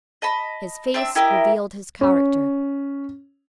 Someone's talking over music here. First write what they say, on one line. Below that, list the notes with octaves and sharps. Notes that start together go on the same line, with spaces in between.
His face revealed his character.
D#5 A5 B5
C4 D4 E5 E6
E4 G4 A#4 D#5
C#4